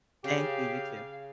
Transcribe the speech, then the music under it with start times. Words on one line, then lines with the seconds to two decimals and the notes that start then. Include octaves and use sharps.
Thank you, you too.
0.24 C#3 G4 F5